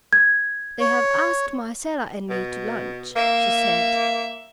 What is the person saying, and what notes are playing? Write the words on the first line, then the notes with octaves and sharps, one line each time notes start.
"They have asked Marcella and me to lunch," she said.
G#6
C#5
B2
A#3 E5